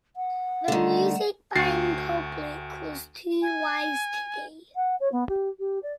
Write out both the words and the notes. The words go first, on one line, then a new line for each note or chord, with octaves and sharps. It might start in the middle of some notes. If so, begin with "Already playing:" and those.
The music buying public is too wise today.
F#5
D3 D#3 G3 A3
D2 F#4 G5 A6 C7
G#5
F#5
C#5
B3
G4
G4
D5